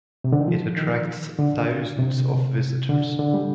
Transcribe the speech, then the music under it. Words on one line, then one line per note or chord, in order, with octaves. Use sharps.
It attracts thousands of visitors.
C3
D3
D#3
F3
D#3
D3
C3
D3
D3
G3